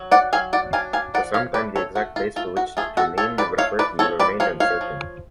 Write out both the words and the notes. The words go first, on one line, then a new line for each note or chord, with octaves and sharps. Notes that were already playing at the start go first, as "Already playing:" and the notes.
For some time, the exact place to which the name referred remained uncertain.
Already playing: F#3
D5 F#5
F#3 F5 G#5
D5 F#5
D4 F5 G#5
F5 G#5
F3 D5 F#5
C#5 F5
A3 B4 D5
A4 C#5
A3 F#4
F4
A3 F4
F#4
A3 F4 G#4
F#4 A4
F4 A4 C#5
B4 D5
A3 C#5 F5
B4 D5
F3 A4 C#5
B4 D5
F3 C#5 F5
C#5 F5
F3